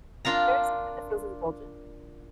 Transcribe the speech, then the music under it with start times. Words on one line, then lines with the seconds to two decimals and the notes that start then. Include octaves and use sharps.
there is something that feels indulgent.
0.25 D4 F4 A#4 A#5